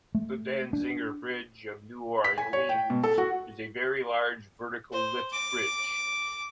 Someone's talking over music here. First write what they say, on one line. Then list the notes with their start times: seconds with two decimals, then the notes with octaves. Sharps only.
The Danziger Bridge of New Orleans is a very large vertical lift bridge.
0.15 A3
0.73 D4
2.24 B6
2.38 G#5
2.53 C#5
2.69 G5
2.90 B2
3.03 A4
3.18 F#4
4.93 C5
5.32 D6